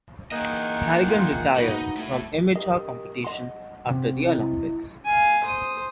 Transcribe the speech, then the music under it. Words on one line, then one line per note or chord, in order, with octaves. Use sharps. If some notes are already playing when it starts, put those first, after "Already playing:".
Kerrigan retired from amateur competition after the Olympics.
E3 A#3 D#4 G#4 D#5 F#5
F4
D#4 F#4 B4
A2 A3
G4 A#4 D#5 D#6
D#5 F#5 C6
C3
E4 D#5
F5 G#5
C5 D#6